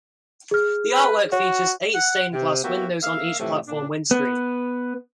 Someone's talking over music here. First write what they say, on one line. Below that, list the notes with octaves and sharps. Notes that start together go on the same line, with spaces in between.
The artwork features eight stained glass windows on each platform windscreen.
G#4 F6
B4
F#4 C#5
F#5
C3
A#3 B3 E4 F#4 G4
A#3 E5 F5
A2 C3 E3 F3 A3
A#2 D4
B3